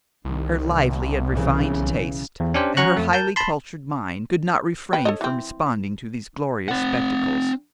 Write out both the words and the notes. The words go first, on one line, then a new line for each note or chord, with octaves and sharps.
Her lively and refined taste, and her highly cultured mind, could not refrain from responding to these glorious spectacles.
C2 D#3
B1 C#3 E3
E2
C#4 D4 G4 C5
F#3 C#4 F#5 A#5 C#6 F#6
F2 A3
A#4 A5 G6
A5 B5 C6
B4 G5
A4 C#5 D#5
E3 C4
C4 F#5